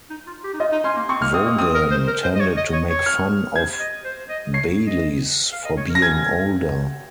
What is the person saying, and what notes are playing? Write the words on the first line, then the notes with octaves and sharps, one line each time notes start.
Vaughan tended to make fun of Baylis for being older.
D#4
F4
G4
D#4
F4 D#5
D#4
C#4 C6
A#3
C4 C#6
A#3 F6
C4 D#6
A#3
C4 D#6
A#4
C5
A#4
C5
D#5
C#5
D#5
C#5
C#5
F6
C5 G#6
D#5
C5
D#5
C#5 C7
D#5
F5
D#5
C#5
A#4
A#6
C#4 G#6